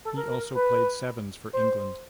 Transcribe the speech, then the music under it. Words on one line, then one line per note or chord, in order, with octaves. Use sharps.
He also played Sevens for England.
A4
A#4
A#4
B4
C5